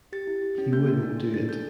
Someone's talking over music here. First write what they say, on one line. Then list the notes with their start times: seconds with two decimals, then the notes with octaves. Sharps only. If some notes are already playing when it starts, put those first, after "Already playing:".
He wouldn't do it.
0.13 G4 A6
0.27 E4
0.42 G4
0.58 C#4
0.72 A#3 G6
0.87 A#3
1.03 D4
1.18 A#3
1.34 D4 A6
1.48 A4 G6